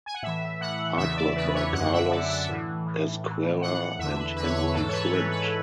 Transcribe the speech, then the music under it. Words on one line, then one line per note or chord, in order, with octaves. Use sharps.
Artwork by Carlos Ezquerra and Henry Flint.
G#5
F#5
A2 E3 E5
A2 E3 F#5
E2 C#3 E3 E5
D5
E2 C#3 E3 B4
C#5
F#2 D3 F#5
E5
F#2 D3 D5
E5
A2 E3
A2 E3
A2 E3
A2 E3 F#5
E2 D3 E5
B4
E2 D3 B4
C#5
B4
B4
G#2 E3 A4
C#5
B4
G#2 E3 C#5
B4